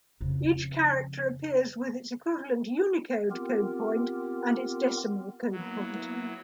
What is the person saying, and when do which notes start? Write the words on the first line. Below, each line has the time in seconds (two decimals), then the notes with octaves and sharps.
Each character appears with its equivalent Unicode code-point and its decimal code-point.
0.21 F2 C#3
3.31 B3 C4 F4 G4 A#4
5.52 F#3 A#3 B3 E4